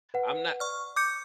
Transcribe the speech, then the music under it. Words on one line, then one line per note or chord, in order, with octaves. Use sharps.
I'm not
B4 F#5
D5 C#6 F6
D6 G6 C#7